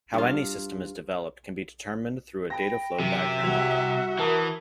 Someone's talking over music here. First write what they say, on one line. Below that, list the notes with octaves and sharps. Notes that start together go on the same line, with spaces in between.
How any system is developed can be determined through a data flow diagram model.
G2 F4
G5 B5 A#6
F#2 C3 E5
C2 F#4 G#6 F7
E3 A#4 A5 D#6